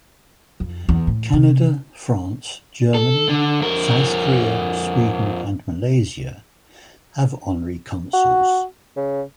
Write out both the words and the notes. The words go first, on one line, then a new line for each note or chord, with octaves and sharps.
Canada, France, Germany, South Korea, Sweden and Malaysia have Honorary Consuls.
F2
E2
A2
C3
A4
D3
F2 A#4
F#4
C#3